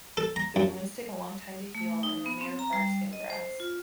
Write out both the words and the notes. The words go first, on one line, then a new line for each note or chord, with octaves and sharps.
The wounds take a long time to heal and they may require skin grafts.
A4
A#5
F#2
A3
D#4
B3
C4
A#5
G3
D#5
C5
F4